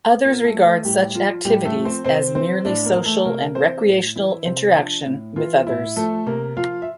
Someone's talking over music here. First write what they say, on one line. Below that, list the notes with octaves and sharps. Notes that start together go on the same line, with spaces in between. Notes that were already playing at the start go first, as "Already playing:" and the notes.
Others regard such activities as merely social and recreational interaction with others.
A#2 A#3 A#4
A3 A4
F3
A3 A4
A2 G3 G4
F3 F4
A2 G3 G4
A3 A4
F3
C4 C5
C3 C4 C5
E3 C4 C5
A2 D4 D5
A#3 A#4
E3
A3 A4
C3 A#3 A#4
E3 C4 C5
A2
E3 E4 E5
C3 C4 C5
F3 D4 D5
A2
E3 F4
A2 E4
F3 A3 A4
C3 A#3 A#4
F3 F4 F5
E5